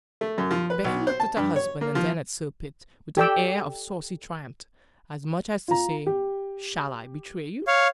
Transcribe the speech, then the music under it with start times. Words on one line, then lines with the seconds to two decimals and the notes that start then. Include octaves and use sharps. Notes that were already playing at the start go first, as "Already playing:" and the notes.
Becky looked at her husband, and then at Sir Pitt, with an air of saucy triumph--as much as to say, "Shall I betray you?"
0.21 A3
0.38 F#2
0.51 F3
0.70 B4
0.84 B1
1.07 C5
1.20 A5
1.37 G2
1.56 C#5
1.81 A#3
1.95 F3
3.17 G4 A4 D5 G5 E6
5.68 F4 A#5
6.06 G4
7.67 C#5 F5